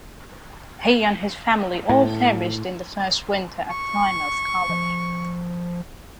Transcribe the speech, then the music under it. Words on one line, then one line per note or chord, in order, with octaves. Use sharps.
He and his family all perished in the first winter at Plymouth Colony.
A2
C#6
F3